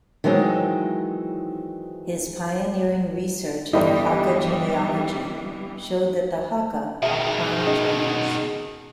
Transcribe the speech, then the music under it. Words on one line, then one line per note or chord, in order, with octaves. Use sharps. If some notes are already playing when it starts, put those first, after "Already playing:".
His pioneering research in Hakka genealogy showed that the Hakka are Han Chinese.
D#3 E3 F#3 G#3 C4 D#4
G1 E3 G3 E4 G4 D5 D#5
B2 D#3 G#4 E5
C#4 D#5